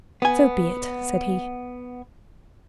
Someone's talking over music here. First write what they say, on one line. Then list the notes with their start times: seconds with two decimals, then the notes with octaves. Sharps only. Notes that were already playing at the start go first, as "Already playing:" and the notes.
"So be it," said he.
0.22 B3 G#5